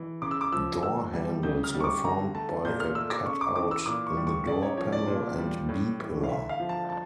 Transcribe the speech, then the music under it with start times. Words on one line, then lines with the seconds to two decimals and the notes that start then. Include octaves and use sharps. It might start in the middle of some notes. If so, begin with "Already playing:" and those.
Door handles were formed by a cut-out in the door panel and B-pillar.
Already playing: E3
0.22 C#3 D6
0.31 E6
0.41 D6
0.52 F3 E6
0.83 D3 E6
1.13 G3
1.43 C#3 G6
1.64 F6
1.74 G3
1.80 C#6
1.84 D6
2.04 D3 A#5
2.35 A3 A5
2.65 A#2 G6
2.80 F6
2.95 A3 E6
3.10 D6
3.26 C#3 C#6
3.41 D6
3.56 E3 D6
3.71 E6
3.86 A#2 D6
4.07 C#6
4.17 G3
4.27 C#6
4.47 C#3 D5
4.62 C#5
4.77 F3 C#5
4.92 D5
5.07 A#2
5.38 G3
5.69 A2
5.99 E3
6.24 F5
6.29 D3 E5
6.49 F5
6.60 F3
6.69 A5
6.90 A5